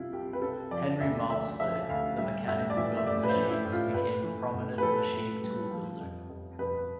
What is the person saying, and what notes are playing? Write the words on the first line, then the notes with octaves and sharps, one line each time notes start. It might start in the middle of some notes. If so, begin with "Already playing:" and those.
Henry Maudslay, the mechanic who built the machines, became a prominent machine tool builder.
Already playing: C2 C3 E4 F4
C2 G4
B4
C3 A4
F3 D5
D2 E5
D2 E5
F3 E5
D2 F5
G3 E5
A2 E5
D5
E3 E5
E5
A2 D5
B4
C5
E3
E4
A2
F4
A2 B4
E3
A2
B4
E3 A4
A2
G3
F3
F2
F2
F2 B4